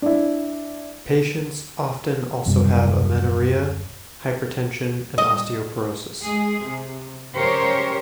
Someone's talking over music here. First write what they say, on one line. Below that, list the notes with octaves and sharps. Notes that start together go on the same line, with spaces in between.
Patients often also have amenorrhoea, hypertension and osteoporosis.
D4 E4
D#1 F#2 C3 G3
D#5
G#3 G#4
C3
C#3 G4 A#4 C5 C#5